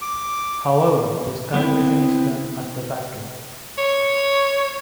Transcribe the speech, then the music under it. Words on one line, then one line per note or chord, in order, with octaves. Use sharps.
However, this calibration is done at the factory.
D6
B3 C4 E4
C#5